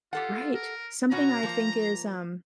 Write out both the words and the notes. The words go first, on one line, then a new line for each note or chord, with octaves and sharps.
Right. Something I think is, um,
F4 G4 A4 F#5
A#4
B2 C#4 F#4 A#5
F3 A#3